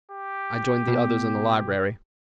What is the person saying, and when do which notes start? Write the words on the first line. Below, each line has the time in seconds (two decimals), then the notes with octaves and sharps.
I joined the others in the library.
0.12 G4
0.88 B2